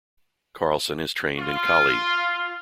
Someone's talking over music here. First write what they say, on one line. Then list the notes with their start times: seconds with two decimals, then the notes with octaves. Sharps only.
Carlson is trained in Kali.
1.39 F4